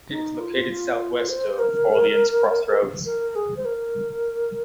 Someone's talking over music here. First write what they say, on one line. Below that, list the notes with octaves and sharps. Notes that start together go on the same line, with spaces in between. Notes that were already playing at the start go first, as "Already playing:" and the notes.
It is located southwest of Orleans Cross Roads.
D#4
F4
C5
A#4
A#4
G#4
C5
A#4